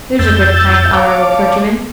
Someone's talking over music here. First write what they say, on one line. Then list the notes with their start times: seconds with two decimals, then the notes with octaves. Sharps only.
There's a good, kind, honourable clergyman.'
0.19 F2 E6 G6 A6
0.93 C#5 F5 A5 D6